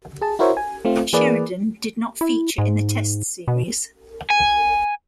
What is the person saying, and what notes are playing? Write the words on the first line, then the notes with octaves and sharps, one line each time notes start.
Sheridan did not feature in the Test series.
G#4 A5
E4 F#4 A#4 C5 C#5 E5
G#5
A3 C4 F4
E3 A#3 G#4 B4 D5
E4
G#2
B2
G#5